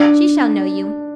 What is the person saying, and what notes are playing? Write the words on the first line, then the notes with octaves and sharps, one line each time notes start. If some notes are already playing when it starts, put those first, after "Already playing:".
'She shall know you.
Already playing: D4